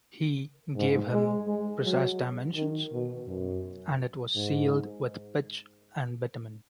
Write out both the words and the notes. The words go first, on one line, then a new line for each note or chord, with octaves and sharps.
He gave him precise dimensions, and it was sealed with pitch and bitumen.
G#2
G#3
G#3
F#3
D#3
B2
F#2
G#2